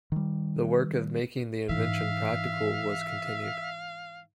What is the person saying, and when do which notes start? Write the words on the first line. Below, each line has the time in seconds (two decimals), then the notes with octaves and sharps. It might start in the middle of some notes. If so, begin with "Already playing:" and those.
The work of making the invention practical was continued.
0.12 D#3 G3
1.69 G#2 E3 E5 F5